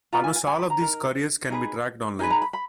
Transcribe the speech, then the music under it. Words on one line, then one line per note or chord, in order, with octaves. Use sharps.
Almost all of these couriers can be tracked online.
F4 B4 A#5
G#5
G#5
G#5
B5
A#5
D#4 A#4
D#4 G#4 B4
D#4 G#4 B4
A#5
B5
B5